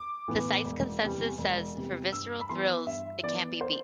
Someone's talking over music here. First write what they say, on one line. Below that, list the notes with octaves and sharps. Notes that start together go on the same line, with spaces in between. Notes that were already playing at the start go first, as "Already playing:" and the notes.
The site's consensus says, For visceral thrills, it can't be beat.
Already playing: D6
A2 E3 B3
E1
E2 C3 G3
E1
E2 C3 G3
G2 E6
B5
E3 B3 C6
G2 E5
E3 B3 D5
C5